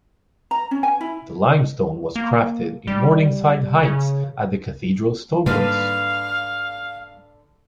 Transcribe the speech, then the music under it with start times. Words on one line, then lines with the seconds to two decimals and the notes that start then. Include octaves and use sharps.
The limestone was crafted in Morningside Heights at the Cathedral Stoneworks.
0.51 A#5
0.71 C#4
0.83 G#5
1.01 E4
2.16 A#3
2.87 G3
3.83 C#3
5.46 G#2 D3 G3 A#3 B4 F5